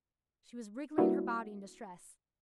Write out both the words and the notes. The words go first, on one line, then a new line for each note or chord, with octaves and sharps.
She was wriggling her body in distress.
G3 A#3 B3 D4 E4 F#4